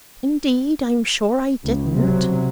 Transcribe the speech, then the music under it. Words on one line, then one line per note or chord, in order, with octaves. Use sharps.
"Indeed I'm sure I didn't."
C#2
C3 F#3